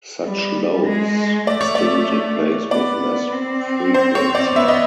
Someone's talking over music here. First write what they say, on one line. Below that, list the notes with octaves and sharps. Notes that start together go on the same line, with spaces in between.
Such loads still take place with less frequency.
G3
G#3
A3 D5
C#5
D5
B3 D5
B3
C4
C5
C#5
D5
B3 E5
D#5